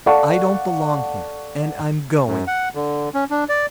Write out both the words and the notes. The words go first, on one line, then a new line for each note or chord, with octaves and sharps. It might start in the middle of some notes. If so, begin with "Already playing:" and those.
I don't belong here, and I'm going.
A4 D5 F5 F#5 A5 C#6
F#2
F#5
D3
C#4
D4
D5